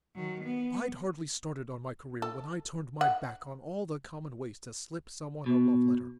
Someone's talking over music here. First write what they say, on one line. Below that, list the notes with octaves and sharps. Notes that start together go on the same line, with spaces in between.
I'd hardly started on my career when I turned my back on all the common ways to slip someone a love letter.
D#3 F#3
B3
A4
F#5
B2